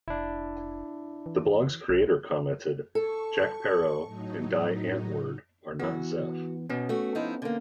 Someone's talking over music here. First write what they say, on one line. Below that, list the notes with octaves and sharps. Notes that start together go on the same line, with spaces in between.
The blog's creator commented, Jack Parow and Die Antwoord are not zef.
F1 D4 E4
E3
B1
A4 C#6
A2 F#3 D#4
E3 B3 F#4
B2 B3 C#4
A3 F#4
F3 D#4 E4
D3 A#3